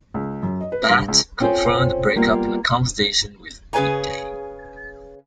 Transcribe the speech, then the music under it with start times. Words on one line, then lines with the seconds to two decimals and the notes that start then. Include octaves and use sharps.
Bhatt confirmed the break-up in a conversation with "Mid-Day".
0.14 C#2
0.43 F#2
0.61 D#5
0.72 B4
0.90 G2
1.08 C#2
1.40 C4 C#4 F4 G#4 A4 C5
2.16 G3 A#3 B3 F4
3.73 C#3 G#4 B4 C#5 G#5 A#5